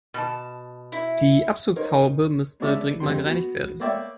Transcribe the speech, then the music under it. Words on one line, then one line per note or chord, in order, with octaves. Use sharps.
Die Abzugshaube müsste dringend mal gereinigt werden.
B2 A5
E4
D#4 A#4 C5 C#5
G#3 B3 C#4 D4 D5 E5
F2 G3 C4 C6
B3 F#4
A#3 B3 C#5 D5 E5 G5